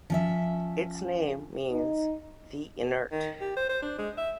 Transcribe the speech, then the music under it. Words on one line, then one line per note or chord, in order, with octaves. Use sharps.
Its name means "the inert".
F3 C#4 E5
D#4
D#3
G4
C5
C5
D4
G#3
E5